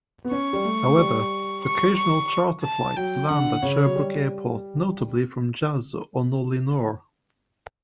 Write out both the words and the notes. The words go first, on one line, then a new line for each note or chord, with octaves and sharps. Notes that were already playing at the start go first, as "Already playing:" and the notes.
However, occasional charter flights land at Sherbrooke airport, notably from Jazz or Nolinor.
B3
C#4 C#6
G3
A3
A3
G3
C#6
C#6
A5
F#3 G5
D3 F#5
C#3 C#5
F#3
G3